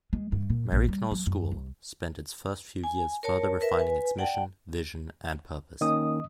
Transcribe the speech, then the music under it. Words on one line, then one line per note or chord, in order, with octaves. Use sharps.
Maryknoll School spent its first few years further refining its mission, vision and purpose.
G#3
G2
A#2
A#1
G3
F#3
F#2
C2
G#5
A#4 C#5 A5
A#4 B4 E5
B4 G#5
D5 F#5 G5 A5
D#3 A#3 C#4 D#5 D#6